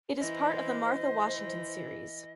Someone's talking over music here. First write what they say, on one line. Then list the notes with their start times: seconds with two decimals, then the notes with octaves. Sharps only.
It is part of the Martha Washington series.
0.19 E3 E4 C5 D#5
1.28 E3